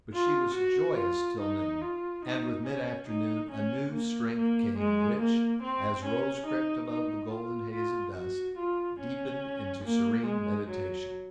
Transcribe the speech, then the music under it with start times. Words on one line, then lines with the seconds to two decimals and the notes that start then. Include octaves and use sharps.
But she was joyous till noon; and with mid-afternoon a new strength came which, as rose crept above the golden haze of dust, deepened into serene meditation.
0.13 F4
0.55 F#4
0.97 F4
1.41 D#4
1.82 F4
2.25 D#4
2.66 C#4
3.09 D#4
3.51 C#4
3.93 A#3
4.36 A#3
4.78 G#3
5.20 A#3
5.63 C4
6.05 C#4
6.47 D#4
6.89 D#4
7.31 F4
7.73 F4
8.15 F#4
8.58 F4
9.00 C#4
9.84 A#3
10.26 G#3
10.69 F#3